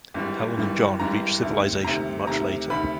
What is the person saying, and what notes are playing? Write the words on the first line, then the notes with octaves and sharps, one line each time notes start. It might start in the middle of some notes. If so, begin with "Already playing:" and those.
Helen and John reach civilization much later.
G#1 G2 E3 G3
G#1 G2 E3 G3
G#1 G2 E3 G3 A#5
D2 C3 D#3
D2 C3 D#3 A#5
D2 C3 D#3 A#5
D2 C3 D#3 B5